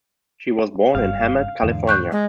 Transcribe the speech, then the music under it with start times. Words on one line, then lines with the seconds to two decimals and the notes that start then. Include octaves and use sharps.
She was born in Hemet, California.
0.95 F#1 G2 F5
1.63 E2 G#2 D3
1.87 C#6 F#6 G6
2.12 G#3